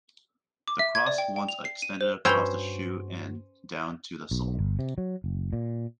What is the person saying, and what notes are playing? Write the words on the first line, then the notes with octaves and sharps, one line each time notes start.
The cross once extended across the shoe and down to the sole.
D6
E5
G#6
D5
G5
G5
F7
C7
D#7
C5
G2 C#4 F#4 B4 C5 G5 B5 E6
B1
G1
C3
F#3
F#1
A#2